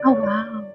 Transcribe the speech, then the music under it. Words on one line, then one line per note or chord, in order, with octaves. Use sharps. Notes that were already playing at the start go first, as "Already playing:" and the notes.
Oh, wow.
Already playing: D5
C#5
D5